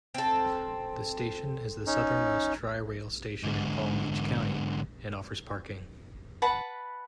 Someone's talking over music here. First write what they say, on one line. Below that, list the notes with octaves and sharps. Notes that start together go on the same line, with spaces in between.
The station is the southernmost Tri-Rail station in Palm Beach County, and offers parking.
C4 A4
C#4 D#4
G#2 D3
B4 F#5 A5 B5